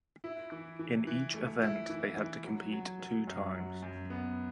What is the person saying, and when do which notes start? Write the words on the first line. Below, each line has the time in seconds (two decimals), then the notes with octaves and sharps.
In each event they had to compete two times.
0.24 E4
0.52 E3
0.79 E3
1.07 E3
1.34 A3
1.62 E4
1.90 E3
2.17 E3
2.44 F#3
2.72 F#3
2.99 F#3
3.27 F#2
3.55 F#3
3.82 F#2
4.10 B3